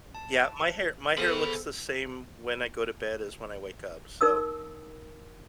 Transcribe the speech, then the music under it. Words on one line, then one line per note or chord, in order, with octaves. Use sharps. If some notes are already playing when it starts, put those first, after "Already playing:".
Yeah, my hair my hair looks the same when I go to bed as when I wake up, so,
A5
B3 G#4 A4 C5 G#5 B5
D#4 A#4 D#6 E6